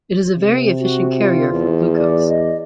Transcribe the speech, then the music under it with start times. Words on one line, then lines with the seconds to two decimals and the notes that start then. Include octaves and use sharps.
It is a very efficient carrier for glucose.
0.38 C3
0.80 F#4
1.17 F4
1.50 E2
1.97 D5
2.28 D#5